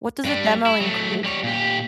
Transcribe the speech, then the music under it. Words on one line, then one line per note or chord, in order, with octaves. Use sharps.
What does a demo include?
G2 G3
E4
F#3 A3
G3 C#5
A#2 G4